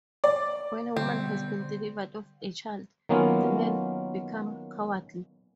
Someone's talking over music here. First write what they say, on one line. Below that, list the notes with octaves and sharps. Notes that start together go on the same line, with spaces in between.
When a woman has been delivered of a child, the men become cowardly.
D5
B2 D3 G3 B3 C4
D#3 F#3 A#3 B3 C#4 F4